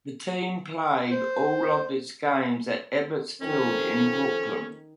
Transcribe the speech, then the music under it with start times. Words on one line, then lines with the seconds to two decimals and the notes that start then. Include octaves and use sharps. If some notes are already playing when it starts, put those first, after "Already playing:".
The team played all of its games at Ebbets Field in Brooklyn.
1.11 C5
3.41 F2 D#3 C4 C#4 A4